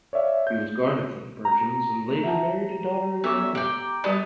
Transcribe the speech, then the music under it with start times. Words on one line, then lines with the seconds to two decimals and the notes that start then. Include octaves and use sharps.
He was guarded from the Persians, and later married a daughter of Milon.
0.13 C#5 D5 E5 F5
0.47 G6
1.45 A#5
2.24 E5 F#5 A5
3.24 B3 C#4 A4 E5 D6
3.55 G4 D5 G5
4.04 G3 B3 G4 D5 A5